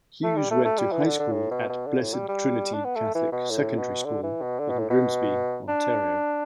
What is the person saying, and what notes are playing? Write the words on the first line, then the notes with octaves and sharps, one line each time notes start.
Hughes went to high school at Blessed Trinity Catholic Secondary School in Grimsby, Ontario.
A3
G3
A3
A3
G3
E3
D3
D3
A2
B2
B2
D3
A2
G3
G3
D4
B3
A3
E3
B2
A2
B2
D3
E3
B2
D3
B2
A2
B2
D4